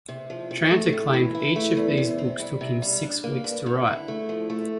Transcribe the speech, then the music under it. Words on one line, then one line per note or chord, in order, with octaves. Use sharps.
Tranter claimed each of these books took him six weeks to write.
C3
F3
C3
A3
A2
E3
E4
A3
E2
C3
C4
G3
C3
G3
D4
A#3
G2
D3
E4
A3
F3
A3